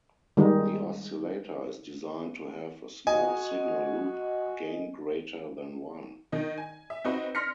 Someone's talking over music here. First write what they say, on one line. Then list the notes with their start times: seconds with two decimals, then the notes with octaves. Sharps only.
The oscillator is designed to have a small-signal loop gain greater than one.
0.37 D#3 G3 G#3 D#4
3.07 F#4 D#5 G#5
6.32 D#3 D#4
6.58 G#5
6.90 E5
7.04 C4 D#4 F#4 B4
7.35 C6 F6 A#6 B6 C#7